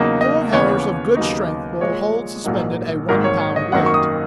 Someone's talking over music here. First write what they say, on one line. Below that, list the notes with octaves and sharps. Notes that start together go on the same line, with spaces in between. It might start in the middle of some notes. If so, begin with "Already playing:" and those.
Four hairs of good strength will hold suspended a one-pound weight.
Already playing: E2 C#3 F#3 A#3 D#4
D#5
D#2 C#3 E3 B3 C#5
D#2 C#3 F#3 B3 D#4
A#1 A#2 G#3 C#5
A#1 G#2 F#3 A#3 D#4
G#1 G#2 D#3 F#3 A#3 A#4
C#5
C#5
D#5
G#1 F#2 D#3 A#3 D#4 F#5
C#6
D#6